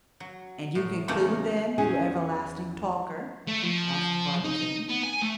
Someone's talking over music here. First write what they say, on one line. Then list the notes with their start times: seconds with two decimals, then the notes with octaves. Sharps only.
"And you conclude, then, you everlasting talker?" asked Barbicane.
0.20 F#3
0.75 A2
1.08 E2 C#3 A3 A#3 D#4
1.78 E2 C#4 G#4
3.47 A3
3.63 F3
4.44 D#4
4.89 B3
5.04 G#5
5.22 A3